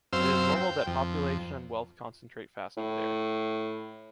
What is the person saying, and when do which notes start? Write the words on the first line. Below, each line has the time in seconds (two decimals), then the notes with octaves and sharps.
It is normal that population and wealth concentrate faster there.
0.13 F#2 C4 C5 F5 E6
0.56 G5
0.87 F2
2.77 A2